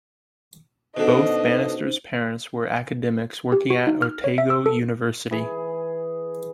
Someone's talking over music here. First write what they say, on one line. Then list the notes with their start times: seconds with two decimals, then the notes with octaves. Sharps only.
Both Bannister's parents were academics working at Otago University.
0.97 B2 D3 C#4 D#4 C5 D#5
3.52 G4
3.70 F#4
3.87 D#4
4.02 F6
4.24 C#5
4.38 E5
4.50 E6
4.66 A4
5.31 E3 G#4